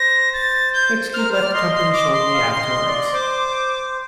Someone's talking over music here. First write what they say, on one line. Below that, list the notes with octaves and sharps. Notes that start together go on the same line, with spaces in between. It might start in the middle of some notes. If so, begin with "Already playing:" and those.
Putski left the company shortly afterwards.
Already playing: C5 A#6
A6
G6
A#4 F6
C5 F6
D5
D#5 C6
C6
D6
C6
F5
D#5
D5
C5 D6